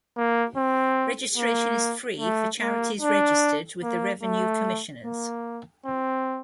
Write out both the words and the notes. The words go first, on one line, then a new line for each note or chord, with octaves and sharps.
Registration is free for charities registered with the Revenue Commissioners.
A#3
C4
A#3
A3
A#3
D4
A#3
A3
A#3
C4